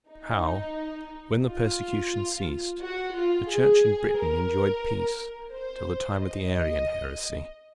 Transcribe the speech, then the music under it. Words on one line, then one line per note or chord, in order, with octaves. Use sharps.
How, when the persecution ceased, the Church in Britain enjoyed peace till the time of the Arian heresy.
D#4
F4
F#4
F4
G#4
A#4
C5
D#5